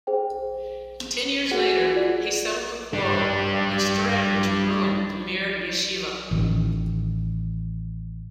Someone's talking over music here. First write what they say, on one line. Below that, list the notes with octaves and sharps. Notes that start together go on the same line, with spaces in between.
Ten years later he settled a quarrel which threatened to ruin the Mir Yeshiva.
G#4 C5 G5
F#4 G#4 F#5
F4 D5
G3 D4
A1 D#3